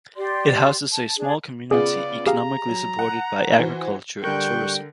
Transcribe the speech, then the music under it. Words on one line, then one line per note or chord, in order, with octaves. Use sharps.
It houses a small community economically supported by agriculture and tourism.
G4 D5 C6
A5
D4 G#4
C#3 B3 F4 G#4 D5
G4 G#4 F5 A#5
F#3
F#5
E3 F#4 C5
D3 G3 A#4 G5 C#6 F#6 G6